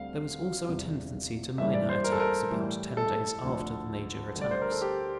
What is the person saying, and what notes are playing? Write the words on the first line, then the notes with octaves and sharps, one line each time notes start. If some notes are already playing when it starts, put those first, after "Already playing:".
There was also a tendency to minor attacks about ten days after the major attacks.
Already playing: D2 D3 G3 C4 F5
E2 C3 G3
G2 E3 G3 A#3 E5
D5
C5
A#4
A4
A#4
A2 E3 G3
A4
D2 D3 F3
D2 D3 G3
D5
C5
A#4
A4
G4